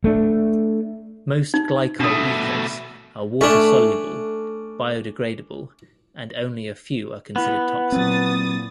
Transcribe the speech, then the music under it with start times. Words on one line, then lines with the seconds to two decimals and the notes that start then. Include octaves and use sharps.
Most glycol ethers are water-soluble, biodegradable and only a few are considered toxic.
0.04 A3 D4
1.54 D#4
2.00 B2 A3 D4 D#6
3.41 A3 C#4 D4
7.36 B3 E4 B5
7.92 A#2 F#3 C4 D#6 A6